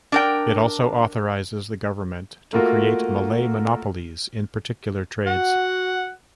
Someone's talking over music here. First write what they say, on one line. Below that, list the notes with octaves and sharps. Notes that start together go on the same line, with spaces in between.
It also authorises the government to create Malay monopolies in particular trades.
D4 A#4 G5
A3 A#3 F4 F#4 A#4
F#4 F#5